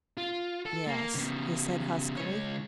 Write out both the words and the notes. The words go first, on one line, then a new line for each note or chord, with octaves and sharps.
"Yes," he said huskily.
F4
A4
A#3
C#3 B3
C#2 C#5